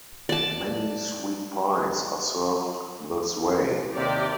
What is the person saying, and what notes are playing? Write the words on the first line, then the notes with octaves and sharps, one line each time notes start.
Many sweet pies are served this way.
D5 A5
D#2 C3 G4 D5